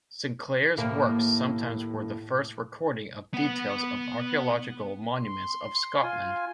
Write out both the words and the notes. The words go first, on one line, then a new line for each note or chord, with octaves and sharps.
Sinclair's works sometimes were the first recording of details of archaeological monuments of Scotland.
D#2 A2 A#3
B3 F#5
C6
F4 G#5